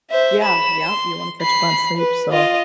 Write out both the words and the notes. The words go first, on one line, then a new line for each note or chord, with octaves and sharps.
Yeah, yep, you want to catch up on sleep, so
C5 E5
B5 E7
C6
B5 C7
B4
F4 D#5